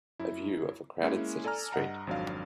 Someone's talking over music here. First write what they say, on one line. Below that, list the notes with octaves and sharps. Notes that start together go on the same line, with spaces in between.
A view of a crowded city street.
F#2 E4
G#3 A#3 C#4 E4
A4 D5 G#5 A#5 F6
G2 D#5 F#5 A#5
G#1 F2 F#3 D4 F5